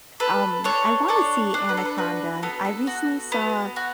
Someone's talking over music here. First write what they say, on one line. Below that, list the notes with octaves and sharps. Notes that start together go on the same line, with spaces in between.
Um, I wanna see Anaconda. I recently saw
A4 B4
D4 A4 C#5
D4 A4 C#5
D4
B4
A4
B4
F#4 B4
B3 A4
A4
F#4
B3
F#4